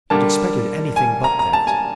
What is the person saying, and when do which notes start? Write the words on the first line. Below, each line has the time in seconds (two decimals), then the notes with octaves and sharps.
He had expected anything but that.
0.10 D3 G3 A#3 A5
0.96 G#5
1.24 A#5
1.39 A#5
1.53 A5
1.67 G#5